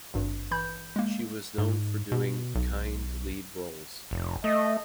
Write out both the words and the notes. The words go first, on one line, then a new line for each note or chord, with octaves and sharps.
She was known for doing kind lead roles.
G#1 G2
E3 B5 G6
G#3 A#3
G#2
B2
B1
F1
A3 D#5